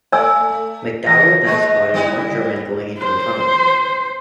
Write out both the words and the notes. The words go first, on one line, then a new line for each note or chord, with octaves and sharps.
MacDowell then spotted one German going into a tunnel.
A3 D5 G#5 E6
E2 A#6
G#3 B4
G3 B3 E4
C5